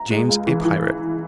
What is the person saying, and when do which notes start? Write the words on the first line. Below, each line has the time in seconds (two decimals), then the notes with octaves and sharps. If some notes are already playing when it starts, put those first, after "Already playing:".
James, a pirate.
Already playing: A#5
0.10 G#3
0.29 C#2
0.47 E3
0.65 E3